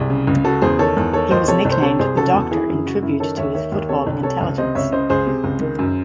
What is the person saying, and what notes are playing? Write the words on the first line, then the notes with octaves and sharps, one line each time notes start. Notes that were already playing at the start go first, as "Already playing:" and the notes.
He was nicknamed "The Doctor" in tribute to his footballing intelligence.
Already playing: C2 E4 G#4
C#3
C#2
C#3 F#4 A4
E2 G#4 C5
D#3 A4 C#5
E2
D#3 A4 C#5
D#2 C5 D#5
C3 A4 C#5
C2
C5
C3 A4 C#5
C2 G#4 C5
C#3 F#4 A4
E2
E3 E4 G#4
F#2
G#4
C#3 F#4
F#2 E4
D#3 A4 C#5
D#2 C#5 E5
D#3 C#5 E5
D#2
C3 A4 C#5
C2
C3 A4 C#5
C#2
C3 C5 D#5
C#2 C#5 E5
C#3 C5 D#5
C#2 G#4 C5
C3
C#2
D#3
F#2